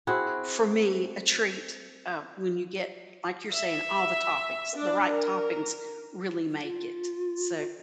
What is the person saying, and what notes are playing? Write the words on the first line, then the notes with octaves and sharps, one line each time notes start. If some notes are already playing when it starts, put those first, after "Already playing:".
for me, a treat, uh, when you get like you're saying, all the toppings, the right toppings really make it, so
C4 E4 F#4 G#4
E5
D4
A#4
F4